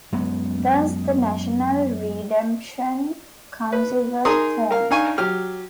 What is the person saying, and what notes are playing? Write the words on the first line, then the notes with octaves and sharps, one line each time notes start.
Thus the National Redemption Council was formed.
F#2 G#3 B3
B4
D#4 G#4 A#4 C6 D#6
A#4 F5
D4 D#4 F5 G#5 C#6
F#3 G4 F6